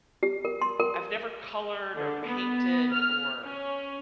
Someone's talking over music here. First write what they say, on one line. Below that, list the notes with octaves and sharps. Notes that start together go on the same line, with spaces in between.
I've never colored or painted or
G4
A#4
C6
A#4
D3
B3
F6
C#4